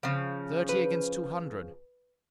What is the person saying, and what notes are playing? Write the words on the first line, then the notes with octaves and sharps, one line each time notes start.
Thirty against two hundred!
C#3 F3
B4